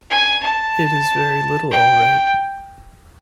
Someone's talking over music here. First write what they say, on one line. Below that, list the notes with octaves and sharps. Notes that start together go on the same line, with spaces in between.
It is very little all right.
G#5
A5
G5